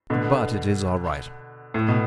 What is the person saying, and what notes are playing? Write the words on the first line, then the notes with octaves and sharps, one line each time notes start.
But it is all right.
B2 D3
A2
B2